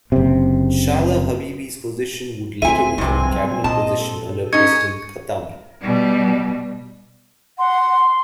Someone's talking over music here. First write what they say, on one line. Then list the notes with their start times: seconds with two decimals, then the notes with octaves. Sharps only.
Shahla Habibi's position would later become a cabinet position under President Khatami.
0.12 F#1 C3
2.62 D2 A3 C4 A4 E5 G#5 D#7
2.98 C2 G2 C3 F3 C4 G#5
3.30 F#3
3.64 A#2 C4 D#5 A5
4.03 A4
4.53 C#4 D#4 C#6 G#6 C#7
5.81 B2 G3
7.59 F#5 C6